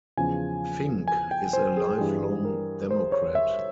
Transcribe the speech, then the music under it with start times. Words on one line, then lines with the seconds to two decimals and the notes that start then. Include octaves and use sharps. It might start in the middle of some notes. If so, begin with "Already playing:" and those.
Fink is a lifelong Democrat.
0.17 E2 C#3 F3 G#5
1.08 G#5
1.31 G5
1.53 C5
1.77 G#4
1.98 G2 E3 G3 G#4
2.45 A#4
2.91 C5
3.12 C#5
3.35 E5